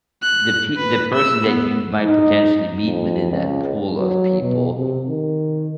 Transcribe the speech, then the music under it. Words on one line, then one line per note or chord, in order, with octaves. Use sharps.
the p the person that you might potentially meet within that pool of people
F#6
B4
E6
B3
D#4
F2
C#2
F#3
B2
C3
D#3